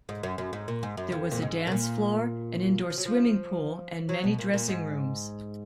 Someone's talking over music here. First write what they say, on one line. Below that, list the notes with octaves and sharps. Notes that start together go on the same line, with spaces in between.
There was a dance floor, an indoor swimming pool, and many dressing rooms.
G#2
F#2
F#2
G#2
A#2
G#2
F#2
F2
A#2
G#2
B2
A#2
F3
F#3
F3
F#3
B2
A#2
A#2
G#2